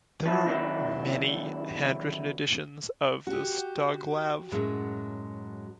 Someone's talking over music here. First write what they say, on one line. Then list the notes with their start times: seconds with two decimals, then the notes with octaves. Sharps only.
There are many hand-written editions of the "Stoglav".
0.26 F3 E4
0.47 C3 D#3 F#3 E4
3.27 F#4 G4
4.52 F#2 A2 F#3 G#3